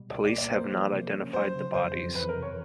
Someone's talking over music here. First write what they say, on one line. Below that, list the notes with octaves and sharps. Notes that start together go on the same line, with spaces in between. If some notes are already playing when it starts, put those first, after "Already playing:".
Police have not identified the bodies.
Already playing: B2 G3
C#2 D5
D5
A#3
D5
A#3 C5
F3
C3
C#4
F#3 C5
C#3
F2 C5
F2
E3 B4
A#4
C3
C#5